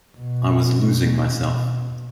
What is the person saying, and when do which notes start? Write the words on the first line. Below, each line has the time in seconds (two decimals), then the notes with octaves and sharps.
I was losing myself.
0.18 B2
1.36 B2